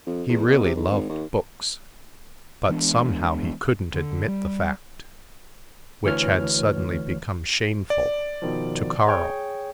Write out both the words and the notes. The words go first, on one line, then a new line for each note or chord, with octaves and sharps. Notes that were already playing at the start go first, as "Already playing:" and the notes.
He really loved books, but somehow he couldn't admit the fact, which had suddenly become shameful, to Carl.
F2
E2
B2
C3
B1
G#1
D#2
E3 G#3 B3 D4
D3
G3
D2 E3 C#5 F6
D5
B2 D#3 F3
G#4 C#5 G5